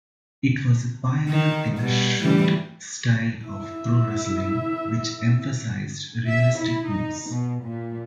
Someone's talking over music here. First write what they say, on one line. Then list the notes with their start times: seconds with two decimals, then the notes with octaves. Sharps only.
It was a pioneer in the shoot-style of pro-wrestling, which emphasized realistic moves.
1.29 D#3
1.78 B2 G3
2.21 A2 E3 G3
3.45 E4 E5
6.27 E5
6.58 E4
6.89 D#4
7.30 B2
7.65 A#2